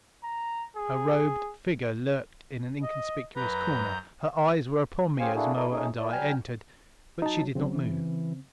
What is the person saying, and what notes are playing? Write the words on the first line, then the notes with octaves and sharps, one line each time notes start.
Her robed figure lurked in an inconspicuous corner; her eyes were upon me as Moa and I entered, but she did not move.
A#5
G#4
D#5
F#2 B4 A#5 G6
C#4 G4 G#4 C5 F5 G#5
A#3 D4 E4 F#4 G#4 A4
E4 A4 A#4 D5
A3 C#4 D#4 G#4
A#2 A3 E4 D5
F#3 G3 G5 G#5 F6 G6
F#3 D#4 A5
C#3 F#3 C4
E3